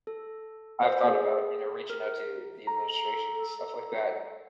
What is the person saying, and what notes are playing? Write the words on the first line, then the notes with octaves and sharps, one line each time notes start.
I've thought about, you know, reaching out to the administration and stuff like that, and
A4
C5
G#4
A#4
A4 A#5